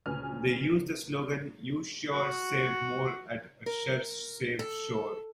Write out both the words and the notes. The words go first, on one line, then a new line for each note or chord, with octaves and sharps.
They used the slogan You sure save more at a ShurSave store.
D2 A#2 C#3 B4 G#5 F6
F#4
A#4
A4